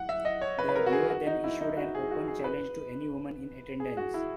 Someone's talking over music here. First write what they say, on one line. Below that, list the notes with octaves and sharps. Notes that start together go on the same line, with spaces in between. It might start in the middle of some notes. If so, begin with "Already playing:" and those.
The duo then issued an open challenge to any women in attendance.
Already playing: F#5
E5
D#5
C#5
B4
B4
A#4
F#4
G#4
F#4
D#4
E4
D#4
F#4
G#4
F#4
G#4
B4
G#4
F#4
E4